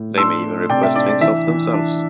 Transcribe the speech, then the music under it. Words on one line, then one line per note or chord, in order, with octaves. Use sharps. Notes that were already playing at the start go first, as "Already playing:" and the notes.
They may even request things of themselves.
Already playing: A2
D4 C6 E6
A3
C3 D5 G5
E5
D4 D5
D5
E3 E5
E3
D4